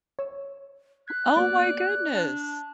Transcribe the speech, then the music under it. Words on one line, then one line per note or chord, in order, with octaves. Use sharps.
Oh, my goodness.
C#5 E6
F#6 G#6 B6 C7
A#3 B3 F#4 D5
D4